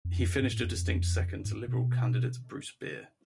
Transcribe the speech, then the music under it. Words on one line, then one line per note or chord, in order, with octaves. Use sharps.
He finished a distant second to Liberal candidate Bruce Beer.
F2
G#2
A2
F2
F2
G#2
B2